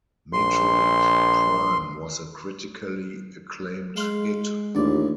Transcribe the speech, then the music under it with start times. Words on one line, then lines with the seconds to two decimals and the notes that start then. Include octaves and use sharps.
"Metroid Prime" was a critically acclaimed hit.
0.33 A#1 C6
3.96 G#3 F5 C6
4.75 A1 D#2 D4 F4 D5